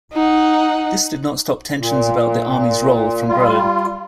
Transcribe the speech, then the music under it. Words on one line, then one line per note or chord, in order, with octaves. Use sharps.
This did not stop tensions about the Army's role from growing.
D#4 F#5
A#2
G3 F4